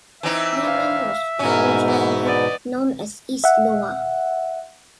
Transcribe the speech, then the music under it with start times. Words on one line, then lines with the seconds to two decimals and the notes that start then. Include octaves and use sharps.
Lyman was originally known as East Loa.
0.23 E3 C4 D#4 E5
0.63 F5
1.39 G#2 B2 E3 C#4 A#4 G#5
1.88 E3 B3
2.25 D5 D#5
3.44 E5 F#5